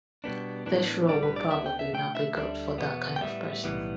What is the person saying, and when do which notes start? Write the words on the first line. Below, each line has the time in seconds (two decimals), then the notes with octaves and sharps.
This rule will probably not be good for that kind of person.
0.24 B2 G3 B3 D4
0.66 A2 E3 B3 D4
1.08 B1 A2 G3 D4 D5
1.23 B4
1.36 D5
1.51 D2 D3 B3 D4 E5
1.66 G5
1.79 E5
1.93 B2 A3 D4 G5
2.15 E5
2.36 D2 D3 G3 D4
2.78 E2 B2 B3
3.16 G5
3.21 A2 G3 B3 E5
3.64 B1 A2 E3 G3 B3